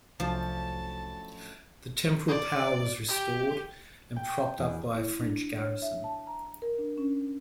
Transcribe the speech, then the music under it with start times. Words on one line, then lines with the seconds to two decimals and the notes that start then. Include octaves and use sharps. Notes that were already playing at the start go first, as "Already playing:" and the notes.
The temporal power was restored and propped up by a French garrison.
0.20 C2 F#2 A2 F3 D4 A5
2.28 D5
3.08 G4
4.16 G5
4.58 E2
4.94 E4
5.20 D4
5.58 C#5
5.82 E5
6.04 A5
6.27 A#5
6.62 A#4
6.78 D4
6.98 C#4